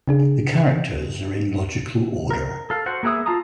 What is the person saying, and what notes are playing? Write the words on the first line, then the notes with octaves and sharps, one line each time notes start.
The characters are in logical order.
C#3 D4 G#4
A#4
A4 F5
F#4 C5 F#5
A#3 B3 G#4 E5 D#6
F4 F5 A5 A#5 D#6